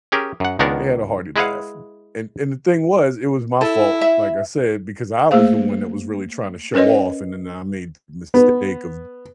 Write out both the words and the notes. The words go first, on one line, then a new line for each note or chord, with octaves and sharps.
I had a hearty laugh, m and and the thing was, it was my fault, like I said, because I was the one that was really tryna show off, and then I made the mistake of
C#4 G4 G#4 A#4
F#2 F#5
C#2 D#3 B3 D4 A#4 F#5
G#3 E4 G#4 B4 F5 F#5
E4 A4
E5
A3 A#3 G#4 C5 F5
C#4 A#4 B4 C#5 D#5
B3